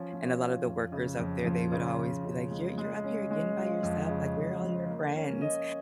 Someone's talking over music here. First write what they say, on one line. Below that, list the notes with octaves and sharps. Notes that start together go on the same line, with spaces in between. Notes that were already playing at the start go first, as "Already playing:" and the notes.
and a lotta the workers out there, they would always be like, "You're you're up here again by yourself?" Like, "Where are all your friends?"
Already playing: F3 C#4
F3
F4
F2
C#3
F2
F3
C#3
F3
C#3
G#3
G#3
C#4
G#3
F4
F2
C#3
F2
F3
A#3
C#4
D#5